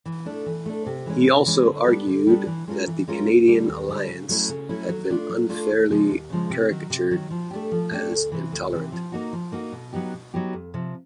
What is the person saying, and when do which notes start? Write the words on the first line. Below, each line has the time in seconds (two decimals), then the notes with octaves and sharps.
He also argued that the Canadian Alliance had been unfairly caricatured as intolerant.
0.06 E3
0.26 A3 D4
0.46 E3
0.66 A3 D4
0.86 C3
1.06 E3 G#3 C#4
1.26 C3
1.46 E3 G#3 C#4
1.66 D3
1.87 G3 B3 D4
2.07 D3
2.27 G3 B3 D4
2.47 E3
2.67 G#3 C#4 F4 A#4
2.87 E3
3.08 G#3 C#4 F4 A#4
3.28 D#2
3.48 D3 G3
3.68 D#2
3.88 D3 G3
4.08 C#3
4.29 F#3 A3 C#4 E4
4.49 C#3
4.69 F#3 A3 C#4 E4
4.89 F#3
5.10 A3 D4 F4
5.29 F#3
5.49 A3 D4 F4
5.69 D#2
5.90 C#3 F3 G#3
6.09 D#2
6.30 C#3 F3 G#3
6.50 C3
6.70 D#3 F#3
6.90 C3
7.11 D#3 F#3
7.31 F3
7.51 A3 D4 G4
7.71 F3
7.91 A3 D4 G4
8.11 D2
8.32 C3 E3
8.52 D2
8.72 C3 E3
8.92 F3
9.12 A#3 D#4 F#4
9.33 F3
9.52 A#3 D#4 F#4
9.72 B2
9.93 F#3 B3 D#4 G4
10.13 B2
10.34 F#3 B3 D#4 G4
10.53 F2
10.74 C3 F3